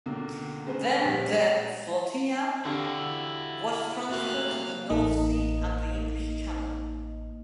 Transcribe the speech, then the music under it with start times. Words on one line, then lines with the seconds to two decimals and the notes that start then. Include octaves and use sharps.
Then the flotilla was transferred to the North Sea and the English Channel.
0.06 C#2 B2 D3 A#3
0.66 G#3 C4 C#4 B4 C5
1.05 A#1 G3 B6
2.65 D3 E4 F#4 G4 F5 G5
4.11 C3 A3 A#3 F#4 E5 F5 F#6
4.90 A1 A#3 D#4 D#5